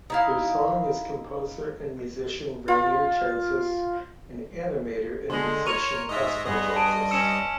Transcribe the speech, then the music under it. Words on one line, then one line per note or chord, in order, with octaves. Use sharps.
Their song is composer and musician Rainer Jancis and animator and musician Kaspar Jancis.
D#4 E4 F5
F4
D3 G#3 C6
A#4 C#5 C#6 D#7 F7
G#2 D#5 E5
G2 B3 G#4 D#5
A5 D7
C#4 E6 C#7 E7